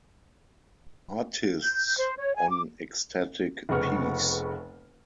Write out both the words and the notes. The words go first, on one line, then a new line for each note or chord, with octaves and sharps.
Artists on Ecstatic Peace!
G6
C5
C#5
G#5
D6
F1 C#3 B3 F#5 C#6 F6